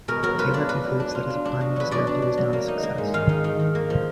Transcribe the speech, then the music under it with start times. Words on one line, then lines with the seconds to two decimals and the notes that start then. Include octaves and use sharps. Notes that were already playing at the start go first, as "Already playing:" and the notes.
Taylor concludes that as prime minister, he was not a success.
0.08 B2 A#4
0.23 F#3 A#4
0.38 F4 B4
0.54 D4 D5
0.69 D4 B4
0.85 F#3
1.00 D4
1.15 F4
1.30 D4
1.45 D4
1.61 B2
1.76 F#3 B4
1.91 B2 D5
2.07 D4
2.22 D4
2.37 F#3
2.53 A#3
2.68 D#4
2.83 A#3
2.98 G#2
3.14 D#3 F5
3.29 D#4
3.44 D#3
3.60 D#3
3.75 A#3
3.90 F3